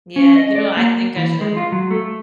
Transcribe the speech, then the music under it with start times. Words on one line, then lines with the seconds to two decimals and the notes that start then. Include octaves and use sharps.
Yeah, you know, I think I should.
0.16 C#4
0.36 D#5
0.56 D5
0.77 A#3
1.16 E3
1.41 G#3
1.57 F4
1.72 F#3
1.90 A3